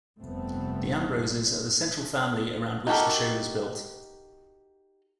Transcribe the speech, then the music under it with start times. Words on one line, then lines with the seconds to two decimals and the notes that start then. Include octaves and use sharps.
The Ambroses are the central family around which the show was built.
0.22 F1 G2 A3 B3 C4
2.87 D#4 F#4 G4 A4 A#4